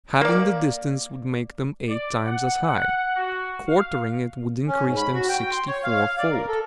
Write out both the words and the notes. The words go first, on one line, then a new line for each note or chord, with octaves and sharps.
Halving the distance would make them eight times as high; quartering it would increase them sixty-four-fold.
A#3 D5
D5
F#5
F#5
F#4
F5
C#4
G#2
B5
F#4
G5
C6
C#5
F5
D5
A#4
A4